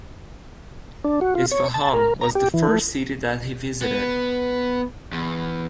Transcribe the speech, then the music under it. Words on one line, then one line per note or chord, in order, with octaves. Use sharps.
Isfahan was the first city that he visited.
D4
F#4
F4
C#5
A5
A#4
A#5
G4
E3
A3
B3
E2